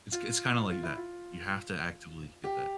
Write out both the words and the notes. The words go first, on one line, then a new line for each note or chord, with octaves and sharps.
It's it's kinda like that; you have to actively get that.
F4
F4
E4
F4
G4